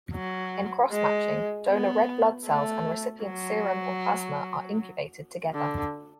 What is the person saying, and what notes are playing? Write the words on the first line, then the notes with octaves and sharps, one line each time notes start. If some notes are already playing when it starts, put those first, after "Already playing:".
In cross-matching, donor red blood cells and recipient's serum or plasma are incubated together.
F#3
G#3
B3
A3
F#3
D3